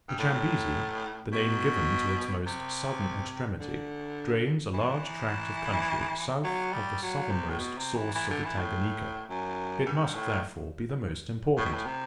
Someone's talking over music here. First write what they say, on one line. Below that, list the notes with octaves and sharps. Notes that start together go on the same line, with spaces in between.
The Chambezi, the name given to its most southern extremity, drains a large tract of country south of the southernmost source of the Tanganika; it must, therefore, be the most important.
G2
A2
B2
C3
D3
E3
F#3
G3
F#3
C3
A2
B2
C3
E3
E3
D3
E3
A2
F#2
G2
A2
A2
B2
A2
C3